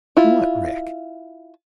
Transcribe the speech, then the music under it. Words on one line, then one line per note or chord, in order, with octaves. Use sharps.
"What wreck?"
E4 F4